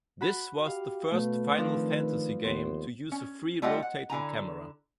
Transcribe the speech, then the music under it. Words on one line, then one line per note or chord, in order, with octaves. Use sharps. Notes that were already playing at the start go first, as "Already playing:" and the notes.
This was the first "Final Fantasy" game to use a free rotating camera.
F#4 B5
G4 F5
B2 A3 B4
D#3 F3 C4 D4
D#2 B3 C5
C#4
G3 A3 F4 G4 D#5 F#5
F#5
D3 E4 G#5 A#5